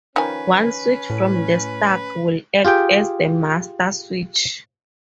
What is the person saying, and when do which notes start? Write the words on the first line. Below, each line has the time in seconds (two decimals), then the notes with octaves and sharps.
One switch from the stack will act as the master switch.
0.16 D#3 F3 C#4 B4 G#5
1.10 A2
2.65 F4 G4 G#4 G5